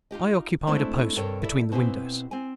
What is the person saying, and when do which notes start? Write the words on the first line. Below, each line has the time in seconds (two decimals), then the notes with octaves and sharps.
I occupied a post between the windows.
0.11 D#4 F4 G4 D#5
0.67 G#3 A3 C4 D4 E4 A4
1.17 G2 C3 A4 A#4 C#5 G5
1.42 E4 A4 D5
1.72 B2 C4 E4 G4 G#5
2.31 C4 G#5